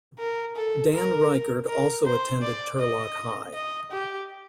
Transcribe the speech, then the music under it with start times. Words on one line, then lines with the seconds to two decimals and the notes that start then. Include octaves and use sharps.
Dan Reichert also attended Turlock High.
0.19 A#4
0.56 A4
0.94 A#4
1.68 A#4
2.05 C5
2.42 D5
2.79 D#5
3.54 D#5
3.91 G4